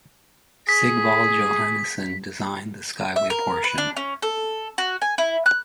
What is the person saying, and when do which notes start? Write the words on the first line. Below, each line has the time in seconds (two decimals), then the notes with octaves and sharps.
Sigvald Johannesson designed the Skyway portion.
0.69 G#4 B6
3.16 E5
3.30 A#4
3.64 B4
3.78 D4
3.97 C#4
4.22 A4
4.78 F#4
5.02 G#5
5.18 E4
5.46 F#6